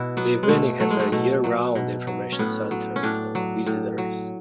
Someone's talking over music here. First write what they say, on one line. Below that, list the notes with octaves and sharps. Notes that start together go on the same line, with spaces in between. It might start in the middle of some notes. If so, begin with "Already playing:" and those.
Lee Vining has a year-round Information Center for visitors.
Already playing: B2 E4 F#4
F#3 B3
G#3
B2 A3
F#3 A3
G#3
A3
B2 A3
F#3
B2
F#3
C#4
A2 B3
F#3
C#4
A2 D4
F#3
A2
F#3